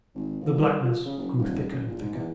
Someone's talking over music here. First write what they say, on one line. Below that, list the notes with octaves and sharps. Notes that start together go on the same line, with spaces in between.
The blackness grew thicker and thicker.
G#1
E1
G2
F3
C#3
F#1
D#1
F#1
A#1
G#2
E2